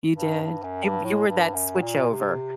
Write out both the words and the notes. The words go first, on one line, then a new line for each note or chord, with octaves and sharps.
You did? You w You were that switchover,
G2
G2
F#2
G2
A2
G2
F#2
A#2
C3